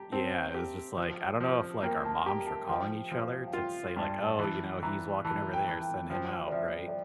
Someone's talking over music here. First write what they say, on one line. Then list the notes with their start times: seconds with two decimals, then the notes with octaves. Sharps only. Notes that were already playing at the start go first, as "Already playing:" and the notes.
Yeah, it was just like, I don't know if, like, our moms were calling each other to t say, like, "Oh, you know, he's walking over there. Send him out." Right?
Already playing: G4 A5 A#5
0.12 C4 A5
0.55 G4
0.97 F3
1.40 F3
1.83 A#3 G5
2.05 A5
2.26 G4 A#5
2.47 A5
2.69 F3 G5
3.12 F3 F5
3.47 F5
3.53 F4 G5
3.96 G2 A5
4.09 G5
4.23 A5
4.39 E3 A5
4.83 E3 A#5
5.25 E3 A5
5.53 G5
5.68 E3
5.81 G5
6.10 F3 G5
6.47 D5
6.52 F3 E5
6.88 D5